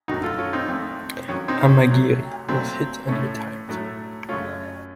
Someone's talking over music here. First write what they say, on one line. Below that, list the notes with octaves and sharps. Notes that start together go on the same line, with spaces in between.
"Amagiri" was hit and retired.
F#2 D#3 F#3 A3 D#4 F#4
F4 A4
C#4 F4
C4 D#4
F2 D#3 A3 C4
F2 D#3 F#3 C#4
C4 D#4
C#4
C3 F#3 A3
A#2 F#3 A3 C4
A2 A3 C#4
A2 F#3 A3
F#2 C#3 A3 C#4 F4